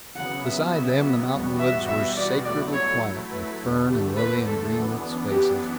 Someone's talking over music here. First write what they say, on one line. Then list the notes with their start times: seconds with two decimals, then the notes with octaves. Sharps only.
Beside them, the mountain woods were sacredly quiet, with fern and lily and green-lit spaces.
0.16 C#3 F#3 B3 F#5
0.44 E5
0.73 E5
1.31 E2 B2 G3 B3 F#4
1.59 E5
1.88 E5
2.17 D5
2.45 F#3 A3 E4 D5
2.73 C#5
3.30 B4
3.59 E2 D3 A3
3.88 G4
4.17 B4
4.45 A4
4.74 F#2 E3 B3 D4
5.31 G4